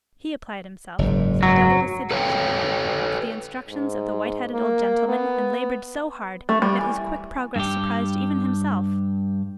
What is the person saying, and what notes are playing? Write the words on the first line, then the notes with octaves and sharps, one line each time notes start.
He applied himself, with redoubled assiduity, to the instructions of the white-headed old gentleman, and laboured so hard that his quick progress surprised even himself.
F#1 G#2
F#3
A4 B4 C#5 E5 F5 G5
G#2
A#3
B3
A3
G3
E3
G2 G4